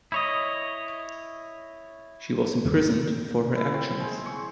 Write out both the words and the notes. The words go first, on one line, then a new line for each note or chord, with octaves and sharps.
She was imprisoned for her actions.
E4 C#5 D#5
E4
C4
G#3
C#6